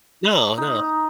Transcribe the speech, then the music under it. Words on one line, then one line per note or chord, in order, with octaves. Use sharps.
No, no.
D#4